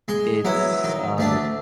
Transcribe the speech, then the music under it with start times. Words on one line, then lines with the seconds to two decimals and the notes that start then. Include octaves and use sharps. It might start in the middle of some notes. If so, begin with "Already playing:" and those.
it's, uh
0.08 G#3 C6
0.45 F#3 B3 E4
0.84 D#3
1.18 D2 A3 D4